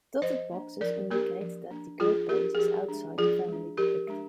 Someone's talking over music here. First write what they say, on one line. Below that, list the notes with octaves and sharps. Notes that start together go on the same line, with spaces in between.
Dotted boxes indicate that the codebase is outside the family depicted.
F3 C5 D#5
A#3 D4
F3 A#4 D5
A#3 D4 G4 A#4
F3
A#3 D4
F3 F4 G#4
A#3 D4 G4 A#4
G#4
F3 G4
G#3 D4
F3 F4 G#4
G#3 D4
F3 G4 A#4
G#3 D4